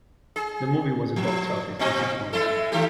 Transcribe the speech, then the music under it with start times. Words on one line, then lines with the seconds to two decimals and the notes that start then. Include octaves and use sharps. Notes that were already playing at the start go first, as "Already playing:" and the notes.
The movie was a box office disappointment.
0.36 G#4
1.16 F3
1.79 A#2 C4 D#5
2.33 G#3 E4 A4
2.72 D#3 A3 G4